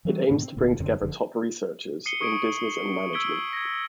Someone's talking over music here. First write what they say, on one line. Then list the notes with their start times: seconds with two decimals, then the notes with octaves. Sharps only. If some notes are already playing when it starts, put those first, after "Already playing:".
It aims to bring together top researchers in business and management.
0.05 E3 F#3 G3 C4
0.28 G#2 B2 D#3 A#3
0.43 C4
0.56 F1 D2 A#2 A#3
0.79 F1 F#2 D3 C4
1.01 F#1 F2 A#2 D3
2.06 D#6 C7 C#7 D#7 G7
2.21 C#6 D#6 G#6 D7
3.13 E6 G#6 B6 D7 F#7 G7
3.53 G#6 A#6